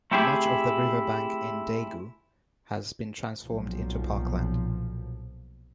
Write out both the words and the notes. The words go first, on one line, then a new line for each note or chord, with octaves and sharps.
Much of the riverbank in Daegu has been transformed into parkland.
A3 C4 E4 G4 G#4
B1 A#2 F3